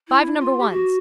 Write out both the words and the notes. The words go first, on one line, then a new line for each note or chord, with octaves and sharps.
Five number ones.
E4
F4
G4
F#4